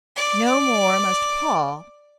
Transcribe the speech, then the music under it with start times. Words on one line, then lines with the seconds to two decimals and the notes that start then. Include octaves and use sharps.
No more must Paul.
0.16 D5 D6